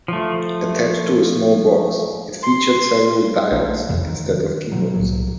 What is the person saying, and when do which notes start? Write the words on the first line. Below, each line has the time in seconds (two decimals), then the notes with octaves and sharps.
Attached to a small box, it featured several dials instead of keyholes.
0.08 F3 A3
2.43 C6
3.51 A#1 A#3 D4
3.69 A3
3.89 D#1 F2 C3 E3
4.04 D#3
4.72 B2 F#3 A#3
4.94 C2 A2 F#3